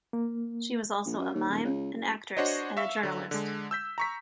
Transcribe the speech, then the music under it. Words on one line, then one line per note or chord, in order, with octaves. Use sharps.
She was also a mime, an actress and a journalist.
A#3
A#1
F#2
D#2
D#1
C#2
F#1
D4 F#4 C5 C#5 D#5
E5 F5 C#6 E6 B6
D3 F#3
D3 G#3
E6 G6 B6
A#5 C#6 B6